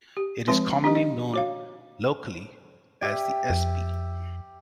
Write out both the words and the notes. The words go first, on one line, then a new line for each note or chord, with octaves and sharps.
It is commonly known locally as "The Espy".
G4
F3 G#3 C4 D#4 B4
D4 G4 D#5
D#5
F#4 C#5 F5
G4 E5
F2